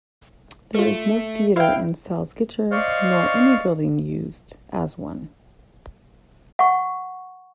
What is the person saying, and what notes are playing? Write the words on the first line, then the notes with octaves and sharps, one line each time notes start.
There is no theatre in Salzgitter nor any building used as one.
A3 F4 A4
E4 F5 G5
C5 D5 D#5 F5 C#6
F#5 C#6